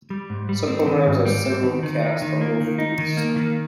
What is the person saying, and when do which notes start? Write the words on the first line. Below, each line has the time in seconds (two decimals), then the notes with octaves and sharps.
Some programs are simulcast on both feeds.
0.10 G3
0.30 G#2
0.49 G3
0.67 C4
0.86 D#3
1.07 G#2
1.25 G3
1.45 C4
1.63 D#3
1.83 D#3
2.02 D#4
2.22 D#3
2.41 A#3
2.60 D#3
2.78 D#4
2.98 D#3
3.17 A#3
3.36 D#3